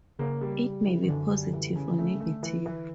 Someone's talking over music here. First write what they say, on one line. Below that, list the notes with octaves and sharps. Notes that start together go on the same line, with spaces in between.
It may be positive or negative.
C#3 A#3
G3
G3
E3
D#3
F#2 D3
G3
E3
C#3
A3
A3
E3
E3